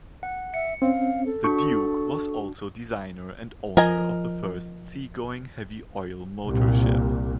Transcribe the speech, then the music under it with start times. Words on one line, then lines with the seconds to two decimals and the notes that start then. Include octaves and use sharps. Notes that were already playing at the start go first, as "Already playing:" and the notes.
The Duke was also designer and owner of the first seagoing heavy oil motorship.
0.23 F#5
0.54 E5 C#7
0.82 C4 C#4 F5
1.26 A4
1.44 D4 F#4 C#6
3.77 F3 A#4 D#5 G#5
6.46 C2 A#2